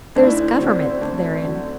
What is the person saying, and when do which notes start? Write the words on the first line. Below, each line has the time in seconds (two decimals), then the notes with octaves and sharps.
There is government therein.
0.16 D2 D4
0.23 E4
0.31 D4
0.58 D3 F#3 C4
0.90 C4
1.01 D2 D4
1.44 D3 F#3